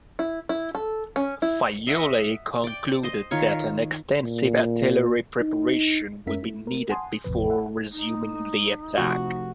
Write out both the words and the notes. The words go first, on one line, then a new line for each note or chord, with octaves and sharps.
Fayolle concluded that an extensive artillery preparation would be needed before resuming the attack.
E4
E4
A4
C#4
E4
D#5 E5 F#5
D5 G5
C5 D#5 C6
D#3 F4 C#5
A#2
D#4
F#2 G#3 C#4 A#4 E5 B6
A3 E4
A#4
F#5 G#5 A5 C6 D#6
G#1 E2 A2 C3 F3 B4
E5 F#5
D#4
C3 F3 A3 F#4